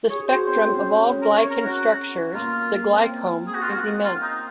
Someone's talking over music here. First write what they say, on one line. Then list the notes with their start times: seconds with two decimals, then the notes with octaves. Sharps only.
The spectrum of all glycan structures - the glycome - is immense.
0.09 G#4 C#5
0.28 F#4 C5
0.47 C4 C5
0.66 C#4
0.84 C#4
1.03 C#4
1.22 A#4
1.36 C#5
1.50 A#4
1.64 F#4
2.34 A#3 F4
2.91 C4
3.47 G#4
3.54 F#4
3.62 F4
3.69 F#4
4.04 F4
4.22 D#4